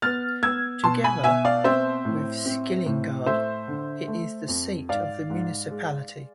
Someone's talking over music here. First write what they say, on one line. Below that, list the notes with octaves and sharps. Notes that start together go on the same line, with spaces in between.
Together with Skillingaryd it is the seat of the municipality.
B3 F6 A6
B3 E6 G#6
B2 A5 C6
G#5 B5
B2 E5 G#5
D5 F5
C4 C5 E5
A2
C4
A2
A3 C5 E5
D3
A3
F2
G#2 D5 F5
G#2
G#3